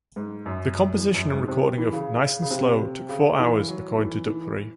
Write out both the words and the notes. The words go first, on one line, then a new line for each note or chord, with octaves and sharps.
The composition and recording of "Nice and Slow" took four hours, according to Dupri.
G#2
F#2
F#2
E2
F#2
G#2
C3
E3
C#3
C#3
C3
C#3
E3
F#3
E3
E3